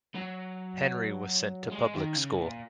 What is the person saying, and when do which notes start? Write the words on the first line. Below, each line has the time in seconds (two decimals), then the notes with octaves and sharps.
Henry was sent to public school.
0.15 F#3
1.71 G#3
1.94 D#3
2.15 C#3
2.38 A#2